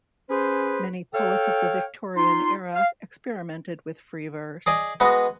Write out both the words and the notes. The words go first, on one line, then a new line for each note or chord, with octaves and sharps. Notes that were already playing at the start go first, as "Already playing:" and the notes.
Many poets of the Victorian era experimented with free verse.
C#4 G#4 B4 C5
A4 C#5 F5 G5
D#4 F4 C6
F5
G#4 D5 D#5 G#5
G#3 B3 F#4 B4 D#5